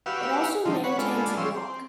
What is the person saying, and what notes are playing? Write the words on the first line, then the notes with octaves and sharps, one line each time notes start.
It also maintains a blog.
F#4 G4 B4 F5 E6
D#3 F3 G3 A3 C4
B4 C#5 F#5
G#3 B3 D4 F4 A4
F3 G3 C#4 C6 E6
C4